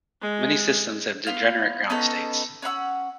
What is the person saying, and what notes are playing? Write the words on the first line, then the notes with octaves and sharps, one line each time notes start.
Many systems have degenerate ground states.
G#3
B3 F4 F5
B3 C#4 D#4 A4
C#4 F#5 B5 E6